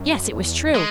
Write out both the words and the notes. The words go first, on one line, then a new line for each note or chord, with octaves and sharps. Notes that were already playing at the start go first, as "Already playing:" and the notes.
Yes; it was true.
Already playing: F#2
E2
G#3